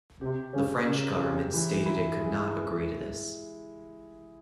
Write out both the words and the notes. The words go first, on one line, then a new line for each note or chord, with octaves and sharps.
The French government stated it could not agree to this.
C3 G4
C#3 C#4
C#3 A#4
G4
E3
E4
G#3